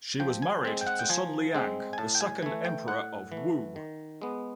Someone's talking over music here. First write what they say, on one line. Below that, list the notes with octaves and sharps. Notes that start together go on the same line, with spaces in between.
She was married to Sun Liang, the second emperor of Wu.
F3 G5
G#5
G#3 C4
G5
F#5
G5
F3 G#5
G#3 C4
G#5
A2 A5
G5
G#5
E3 A3 G#5
G5
A2 F#5
E3
A3
D#3
G#3 B3